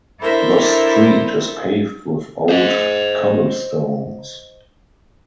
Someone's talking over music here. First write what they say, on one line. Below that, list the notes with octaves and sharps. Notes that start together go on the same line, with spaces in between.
The street is paved with old cobblestones.
D4 E4 A4 A#4 C5 E5
C5 D#5